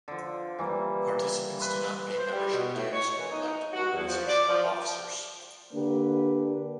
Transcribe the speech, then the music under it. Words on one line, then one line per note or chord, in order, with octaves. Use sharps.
Participants do not pay membership dues or elect organizational officers.
D3 F3
E3 G3 A#3
B4 E5 C6
C5
G3
B2
A2
C#5
E3
D#4
F#4
E2
F3
D5
F3
D3 A#3 D4 G4 B4